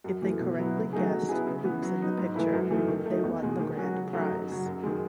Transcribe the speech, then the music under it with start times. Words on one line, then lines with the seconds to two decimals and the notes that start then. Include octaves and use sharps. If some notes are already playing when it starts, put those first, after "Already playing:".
If they correctly guessed who was in the picture, they won the grand prize.
0.04 F#2
0.22 E3 A3
0.39 B2
0.58 F#3 B3 E4
0.76 C#3
0.93 F#3 A3 D#4 G#4
1.10 F#3
1.29 B3 E4 G#4
1.47 C#3
1.64 E3 B3
1.82 F#3
2.00 B3 D#4
2.18 G#2
2.35 E3 A3 E4 B4
2.52 F#2
2.70 E3 A3 D#4
2.88 D#3
3.06 A3
3.11 D#4
3.24 E2
3.42 B2 G#3
3.59 D#3
3.77 F#3 C#4 F#4
3.95 C#3
4.13 F#3 A3 D#4
4.30 F#2
4.48 C#3 F#3
4.66 F#2
4.83 D#3 G#3